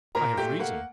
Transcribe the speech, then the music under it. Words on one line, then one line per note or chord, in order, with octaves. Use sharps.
I have reason.
A#2 A#4 A#5
A3 G4 G5
A#3 F#5